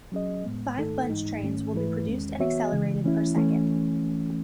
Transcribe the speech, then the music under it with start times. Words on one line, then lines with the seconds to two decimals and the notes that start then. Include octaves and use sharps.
Five bunch trains will be produced and accelerated per second.
0.12 F#3 C#4 G#4 D#5
0.44 A2 G#3 B3
0.77 G#2 D#3 A3 D#4 A4
1.10 G#2 E3 G#3 D#4
1.41 G#2 D#3 A3 C#4
1.74 G#2 E3 A3 E4 B4
2.07 E2 D#3 G#3 C#4
2.38 E3 B3 F#4 C#5 E5
2.72 C#3 E3 G#3
3.04 E3 A3 C#4 E4
3.36 E3 A3 C#4